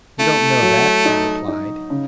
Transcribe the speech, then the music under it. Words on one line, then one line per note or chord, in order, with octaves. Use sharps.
"You don't know that," he replied.
A3 E4
F#3
D#4
D#4
C#3